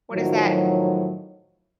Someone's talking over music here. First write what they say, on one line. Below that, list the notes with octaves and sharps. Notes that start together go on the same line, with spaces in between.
what is that?
A2 D#3 F3 F#3